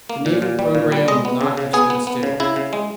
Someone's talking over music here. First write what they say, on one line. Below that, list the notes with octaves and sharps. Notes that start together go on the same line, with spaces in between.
The naval programme will not have stood still.
A#3
A#2
A#2
G3
A#2
G3
G#3 D#5
B3
C#3
C#3
B3 G#4
B3
B3
C#3
C#3 E4
C#3
G#3